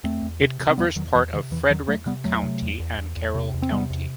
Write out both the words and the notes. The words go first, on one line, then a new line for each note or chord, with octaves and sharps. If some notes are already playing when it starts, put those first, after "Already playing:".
It covers parts of Frederick County and Carroll County.
E2 A3 C4
E2
C3
C3
C4
E2 G3 B3
E2 D#3 F#3
E2 E3
C3 D#3
E2 E3
E2 D#3 F#3
E2 F#3 A3
C3 G3 B3
E2 F#3 A3
C3
E2
E2
E2
E2
C3
E2
C4
C3 G3 B3
E2